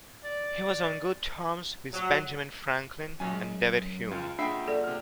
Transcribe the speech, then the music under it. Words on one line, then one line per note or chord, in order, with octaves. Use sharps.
He was on good terms with Benjamin Franklin and David Hume.
D5
F#3
A#1 F#2 F#3 G#5
G#3
C#2 F4
A#2 D4 G#4 E5 F#5 G5
A4 D5
C3 F6